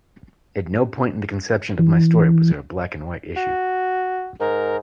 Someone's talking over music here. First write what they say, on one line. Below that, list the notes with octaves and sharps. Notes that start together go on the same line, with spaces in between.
At no point in the conception of my story was there a black-white issue.
E3
F#4
G#2 A#4